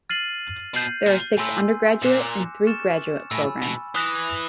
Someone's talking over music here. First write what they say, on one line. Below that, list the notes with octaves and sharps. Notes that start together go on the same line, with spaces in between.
There are six undergraduate and three graduate programs.
F6 A6 C7 D#7 F#7
B2 G6 C7 D#7 F#7
A#2
A2 G#5 C6 E6
A#2 D6 F#6 A#6 C#7 E7
C#6 F6 A6 C#7 E7
A2 G#5 B5 E6
B2
E3 D#6 F#6 A#6 C#7